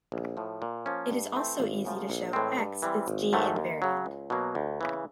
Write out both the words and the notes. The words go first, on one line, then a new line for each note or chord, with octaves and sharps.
It is also easy to show "X" is "G" invariant.
A#1
A2 F3
A#2
F3 A#3 C#4
G2
E3 A3 C4
G#1
F#2 C#3 F3
A#1
A2 E3 G#3 C4
G2
E3 G3 C4
G#1
G#2 D#3 F#3 A3
D#2
C#3 F#3
C#2
B2 F#3 A#3
D2
C#3 E3